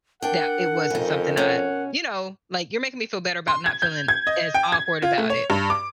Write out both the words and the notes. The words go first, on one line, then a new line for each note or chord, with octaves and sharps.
that it wasn't something I you know, like, you're making me feel better about not feeling as awkward about it.
D4 A#4 F#5 G5
F2 C#3 D#4
B2 C#4 F#5
C6
G#6
G6
G#6
D#5
G5
G#6
F4
A3
C#5
G2
D6